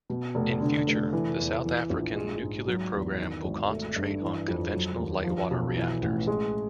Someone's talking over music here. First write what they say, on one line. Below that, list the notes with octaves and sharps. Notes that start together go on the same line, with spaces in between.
In future, the South African nuclear program will concentrate on conventional light water reactors.
B2
F1
D3
F1
E3
E2
E3
A#1
G#3
G#2
F#3
E2
D#3
G#1
A3
G2
E3
F2
F#3
D#2
F3
B1
E3
A1
G#3